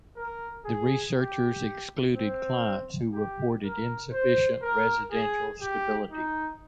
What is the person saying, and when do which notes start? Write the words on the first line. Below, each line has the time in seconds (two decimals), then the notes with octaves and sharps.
The researchers excluded clients who reported insufficient residential stability.
0.16 A#4
0.65 G#4
1.15 G4
2.14 C4
3.13 G4
3.64 A#4
4.12 C5
4.62 A#4
5.12 G#4
5.61 G4
6.11 D#4